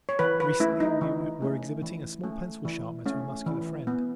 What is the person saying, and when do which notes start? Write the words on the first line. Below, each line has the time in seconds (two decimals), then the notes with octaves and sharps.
Recently we were exhibiting a small pencil sharpener to a muscular friend.
0.09 C#5
0.19 E3 B4
0.40 B4
0.60 A3 C#4 E4
0.80 D#4
1.01 E3
1.42 A3 C#4
1.82 E3
2.23 A3 C#4
2.65 E3
3.05 A3 C#4
3.46 E3
3.87 B3